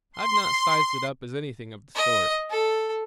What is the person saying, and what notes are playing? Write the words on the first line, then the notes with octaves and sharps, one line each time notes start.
I've not sized it up as anything of the sort.
C6
D#5
A4